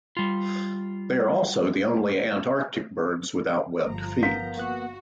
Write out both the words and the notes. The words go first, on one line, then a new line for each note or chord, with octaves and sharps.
They are also the only Antarctic birds without webbed feet.
G3 F4
G1 F3 A#5
B3 A#4 F5 G6
A#3 B3 F#4 F#6